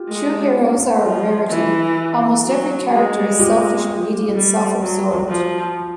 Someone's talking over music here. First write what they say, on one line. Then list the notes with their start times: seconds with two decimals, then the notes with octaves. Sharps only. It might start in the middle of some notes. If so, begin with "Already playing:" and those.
True heroes are a rarity: almost every character is selfish, greedy, and self-absorbed.
Already playing: F4 G4
0.08 G#3
1.02 F3
1.50 E3
2.45 F#3
2.92 G#3
3.39 F4 G4
4.34 G3
4.81 F#3
5.29 F3